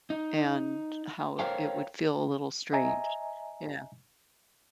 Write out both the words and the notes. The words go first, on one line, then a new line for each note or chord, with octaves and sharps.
and how it would feel a little strange. Yeah.
D#4
A4 A#4 C5 C#5 F5 G5
D#5 E5 G#5 A#5